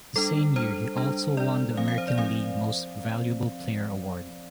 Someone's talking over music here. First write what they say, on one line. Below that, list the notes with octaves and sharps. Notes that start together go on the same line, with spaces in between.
The same year he also won the American League Most Valuable Player award.
G3 D4 A4
G3 D4 C5
G3 D4
G3 D4 D5
F3 C4 F5
F5
C5
D5
F3 C4 F5